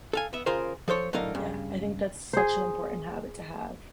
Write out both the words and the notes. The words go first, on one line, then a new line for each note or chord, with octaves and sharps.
Yeah, I think that's such an important habit to have.
A4 F5 G#5
B3 E5
C#3 F4 G#4 A#4 C5
F3 A4 C5 C#5
A2 D3 F#3 D#4 A#4 F5
G2 C#3
G#4 C5